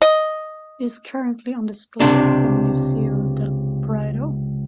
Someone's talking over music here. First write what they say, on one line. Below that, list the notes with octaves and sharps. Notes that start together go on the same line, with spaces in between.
It is currently on display at the Museo del Prado.
D#5
C#2 C3 D4